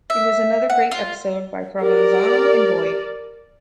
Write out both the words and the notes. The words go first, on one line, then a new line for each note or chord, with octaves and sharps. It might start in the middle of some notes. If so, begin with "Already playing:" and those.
It was another great episode by Provenzano and Boyd.
E5
F#5
F4
G4 A#4 D5